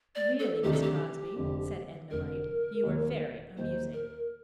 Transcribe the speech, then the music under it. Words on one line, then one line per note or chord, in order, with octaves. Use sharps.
"Really, Miss Crosby," said Edna Wright, "you are very amusing."
D5
A4
D2 C3 D#3 A3 D4 G4
A4
G4
F1 F2 D3
F1 F2 D3 A#4
D#2 D#3 A#3
D#2 D#3 A#3 C5
A#4